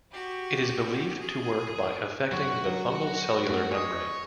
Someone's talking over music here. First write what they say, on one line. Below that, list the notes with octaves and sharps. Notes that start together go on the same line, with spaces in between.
It is believed to work by affecting the fungal cellular membrane.
F#4 G4
G#4
F#2 D3 F#4 C#5 F#5
F#3
G2 A3 C4
G#4 C#5 D#5